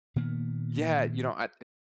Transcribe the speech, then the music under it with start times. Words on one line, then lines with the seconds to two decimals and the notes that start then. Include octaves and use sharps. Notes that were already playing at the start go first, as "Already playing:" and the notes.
Yeah, you know, I
0.16 A#2 D#3 A#3 B3